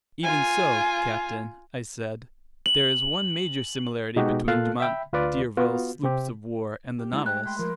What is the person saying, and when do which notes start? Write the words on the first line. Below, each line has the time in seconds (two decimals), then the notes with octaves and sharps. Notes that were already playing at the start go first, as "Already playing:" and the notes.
"Even so, captain," I said, "there is one major similarity between Dumont d'Urville's sloops of war and the Nautilus."
0.23 F4 G#5
2.66 F#7
4.16 B2 G#3 D#4 F#4 G4
4.48 A#2 F4 A4 F5 A5 F#6
4.80 E5 G5 B5
5.13 D2 F4 B4 D5
5.57 B3 F4 F#4
6.04 C3 C4 G4
6.99 G4
7.13 G#3 A3 E4 G#5 A#5
7.26 G5 F#6
7.46 G5 B5 C6 G6
7.58 F3 A#4